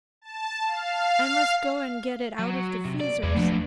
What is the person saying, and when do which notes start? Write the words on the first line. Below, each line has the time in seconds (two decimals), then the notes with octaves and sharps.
I must go and get it out of the freezers.
0.22 A5
0.66 F5
2.39 F#3
2.85 C3
3.00 D5
3.23 E2 B4 D5
3.35 F3 F#3 A3 B3 D4